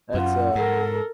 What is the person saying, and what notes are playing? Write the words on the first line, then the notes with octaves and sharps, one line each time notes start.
That's, uh
F#2 C#4 F4 F#5
G#2 A4 A#4